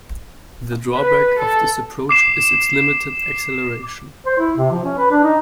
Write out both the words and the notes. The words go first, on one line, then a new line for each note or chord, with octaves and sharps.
The drawback of this approach is its limited acceleration.
B4
A4
D6 C7 E7
C5
E4
C3
F3
C#4
B4
D4
D#4